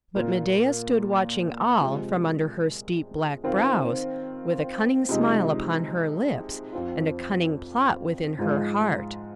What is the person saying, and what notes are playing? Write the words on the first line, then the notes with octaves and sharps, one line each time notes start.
But Medeia stood watching all, from under her steep black brows, with a cunning smile upon her lips, and a cunning plot within her heart.
A#2 A#3 F4
C3 F3 G#3
D#3 C4 F4
C3 F3 G#3 D#4
F2 F3 C4 F4
G#2 F3 G#3 F4